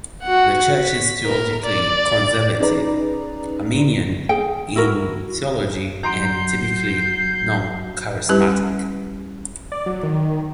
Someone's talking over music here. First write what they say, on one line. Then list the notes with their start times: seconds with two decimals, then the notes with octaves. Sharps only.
The church is theologically conservative, Arminian in theology and typically non-charismatic.
0.23 F#4 F#5
0.83 B6
1.25 A#4
1.66 D5
2.60 C#4 D#4 G#4 B4 D5 A#5
4.29 G#4 G5
4.76 E4 F#4 A#4
6.03 F#3 F#4 A#5 C6 G6 C7 D7
8.29 G3 C#4 E4 G4 B4
9.72 D5
9.86 F#3
10.03 D#3